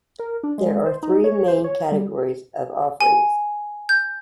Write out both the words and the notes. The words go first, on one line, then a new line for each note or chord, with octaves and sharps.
There are three main categories of offerings.
A#4
D4
G#3
C5
D#4
C#5
C5
C#5
G3
G#5
G6